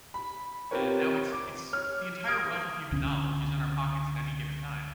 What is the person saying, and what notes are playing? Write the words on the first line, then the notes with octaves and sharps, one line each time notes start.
and now it's it's the entire wealth of human knowledge is in our pockets at any given time.
B5
C4 F4 G4 A#4 B4 C#5
D6
C#5 F6
D#6 F6 D7
C#2 D3 C#4 D4